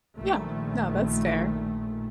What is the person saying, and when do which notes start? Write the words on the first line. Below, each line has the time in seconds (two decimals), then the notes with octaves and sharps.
yeah, no, that's fair.
0.15 A#1 A#2 D#3 A3